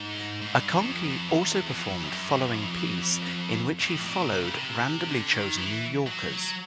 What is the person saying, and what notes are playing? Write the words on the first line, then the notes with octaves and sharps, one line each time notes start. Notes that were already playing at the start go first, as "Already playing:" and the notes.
Acconci also performed "Following Piece", in which he followed randomly chosen New Yorkers.
Already playing: G#2
G#2
G2
E2
F2
F2
E2
F2
F#2
F#2
F2
F2
A2
A#2
C3
C#3
C3
D3
D#3
E3
F#3
F#3